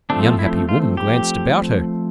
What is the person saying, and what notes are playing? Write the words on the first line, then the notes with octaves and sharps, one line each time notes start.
The unhappy woman glanced about her.
F3 A3 C4 D4
E4
F4
G4